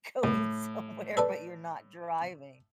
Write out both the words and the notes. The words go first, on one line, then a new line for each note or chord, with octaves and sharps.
going somewhere, but you're not driving.
C2 A2
A4 B4 D5